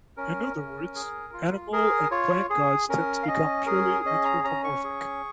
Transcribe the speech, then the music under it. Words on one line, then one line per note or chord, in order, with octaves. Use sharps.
In other words, animal and plant gods tend to become purely anthropomorphic.
C#4 A#4
C#4
G#4
F4
G#4 A#4
F4 C#5
G#4
C#4 A#4
F5
C#4 D#5
G#4 A#4
C#4 D#5
A#5
C#4 A#5
C#6
G#4